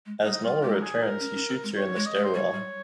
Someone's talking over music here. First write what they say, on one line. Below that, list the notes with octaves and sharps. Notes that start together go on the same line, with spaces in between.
As Nola returns he shoots her in the stairwell.
G#3
G3 D#4
G3 F4
G#3 G4
A#4
G#4
A#4
C#4
C#4
C4
G#3
C#5
G#3
D#5
G#3
C5
G3 C#5
G3